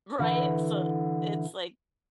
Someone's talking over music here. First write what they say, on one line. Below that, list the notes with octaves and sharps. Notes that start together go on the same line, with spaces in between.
Right? So it's, like
D3 E3